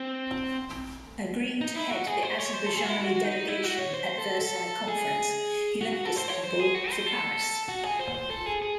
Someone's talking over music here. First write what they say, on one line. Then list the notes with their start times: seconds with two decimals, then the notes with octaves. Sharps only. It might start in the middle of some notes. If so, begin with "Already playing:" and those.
Agreeing to head the Azerbaijani Delegation at Versailles Conference, he left Istanbul for Paris.
Already playing: C4
1.61 D#4
1.76 E4
1.91 F#4
2.07 G#4
2.23 C5
2.38 C#5
2.53 C5
2.66 A4
2.77 G#4
2.84 F#4
2.89 E4
3.01 F#4
3.24 D#4
3.48 E4
3.64 F#4
3.79 C#5
3.94 C5
4.09 C5
4.18 A4
4.41 A4
4.88 G#4
5.81 F#4
5.93 F#4
6.05 A4
6.16 C5
6.28 C#5
6.43 C5
6.60 G#4
6.75 F#4
6.91 C5
7.06 A4
7.68 F#4
7.84 G#4
7.99 C5
8.15 C5
8.31 A4
8.46 G#4
8.62 G#4